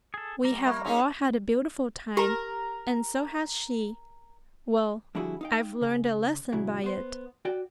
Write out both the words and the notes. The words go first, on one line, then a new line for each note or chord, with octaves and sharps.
We have all had a beautiful time, and so has she. Well--I've learned a lesson by it.
G#4 A4
G3 A#5
A#3 E5 B5 C#6
C#4 D#4 G#4 C6
G4 A#4 A#5
D3 F3 G3 E4 F#4 G#4
D#4 F5 G5
C#3
A#2 C#3 F#3 E4
B3 C5
F#4 D5 G5